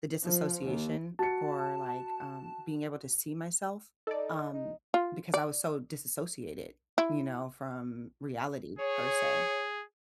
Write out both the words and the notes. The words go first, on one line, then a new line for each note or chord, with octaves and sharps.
the disassociation for, like, um, being able to see myself, um, because I was so disassociated, you know, from reality per se.
F3
D#2
F#4 A5 C#7
D#4 A4 D5
D#4
F4
D5
E4
G#4 C#5